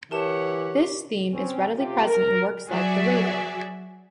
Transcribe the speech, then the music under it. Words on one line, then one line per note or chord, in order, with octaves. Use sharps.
This theme is readily present in works like "The Raven".
E3 G4 A#4 C#5 F#5 A5 E7
C4 C#4
C3 F4 G4
A#4
F#3 F#4 G#4 D5 E5